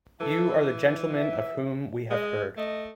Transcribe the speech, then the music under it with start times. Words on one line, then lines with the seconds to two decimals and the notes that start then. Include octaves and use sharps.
You are the gentleman of whom we have heard.
0.21 E3 A4
1.16 E5
2.11 G#3 D#5
2.57 A3 D#5